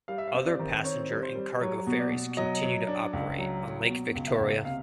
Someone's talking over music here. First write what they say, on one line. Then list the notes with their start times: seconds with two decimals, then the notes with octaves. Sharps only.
Other passenger and cargo ferries continue to operate on Lake Victoria.
0.08 G3 F5
0.18 E5
0.28 F5
0.34 C4
0.47 D5
0.59 D#3
0.85 C4 C#5
1.10 G3
1.23 C5
1.35 G3
1.60 F#3 C#5
1.86 B2
1.99 D5
2.12 B2
2.37 F#3 D#5
2.63 F#3
2.88 D4
3.13 C#2
3.38 F#3
3.64 F#3
3.89 B2
4.15 C#2
4.28 E5
4.40 C#2
4.65 C3 F5